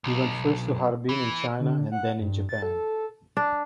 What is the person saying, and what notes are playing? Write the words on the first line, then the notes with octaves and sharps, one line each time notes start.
He went first to Harbin in China and then in Japan.
B1
E3
D3
F#5
G2
A6
A4
D4